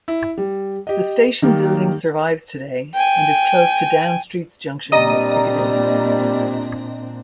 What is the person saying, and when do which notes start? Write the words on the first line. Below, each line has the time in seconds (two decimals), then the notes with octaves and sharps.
The station building survives today and is close to Down Street's junction with Piccadilly.
0.08 E4
0.38 G3
0.87 G4 D#5
1.42 D#3 G3 A#3
2.94 G5 G#5
4.92 A#2 G3 C4 D4 D#5 A#5